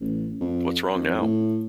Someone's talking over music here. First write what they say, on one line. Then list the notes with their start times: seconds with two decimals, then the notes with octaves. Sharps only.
What's wrong now?
0.01 A1
0.41 F2
0.95 F2
1.21 A2